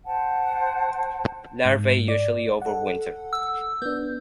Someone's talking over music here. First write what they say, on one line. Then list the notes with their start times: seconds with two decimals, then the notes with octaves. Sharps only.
Larvae usually overwinter.
0.05 C5 F#5 G5 A5
1.65 G#2
2.08 D5
2.62 A4 F#5
3.33 E6
3.82 B3 D4 G6